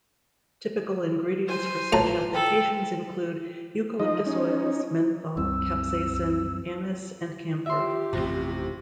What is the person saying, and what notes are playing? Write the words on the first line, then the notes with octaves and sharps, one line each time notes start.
Typical ingredients for such applications include eucalyptus oils, menthol, capsaicin, anise and camphor.
C5 G#5
A2 F4 B4 A5 A#5
A4 G5 B5
F3 D#4 D#5
C#4 D#4
C2 F#2 G3 C4 E6
F4 G4 E5 C6
A1 F2 A2 C3